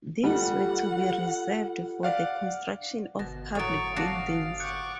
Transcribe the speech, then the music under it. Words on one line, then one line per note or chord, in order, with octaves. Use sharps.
These were to be reserved for the construction of public buildings.
G3 F4 A4 F#5
D5 F5 F#5
G1 B2 A#6
A2 F#3 C#6 D#6 A6 D7
D4 F#4 F5
F#5 C#6 D6 F#6 G6 C#7